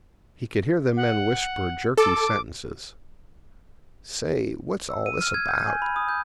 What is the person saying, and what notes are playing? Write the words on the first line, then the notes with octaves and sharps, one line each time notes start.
He could hear the men whisper jerky sentences: "Say--what's all this--about?"
F#5
A4 D6
E6
D#7
F6
G#6
G6
G#5
B5
D#6
G6